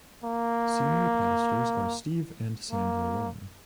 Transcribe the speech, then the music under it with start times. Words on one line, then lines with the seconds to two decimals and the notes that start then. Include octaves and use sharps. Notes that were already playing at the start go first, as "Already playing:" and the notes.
Senior pastors are Steve and Sandra Long.
0.24 A#3
2.71 A#3